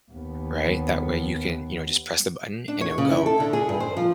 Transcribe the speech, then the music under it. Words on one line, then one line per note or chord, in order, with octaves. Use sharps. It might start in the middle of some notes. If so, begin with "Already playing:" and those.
right? That way you can, you know, just press the button, and it'll go,
D#2 B3
D4
C#5
C#3
E4
A4
D3
G#4
G2
C5
F3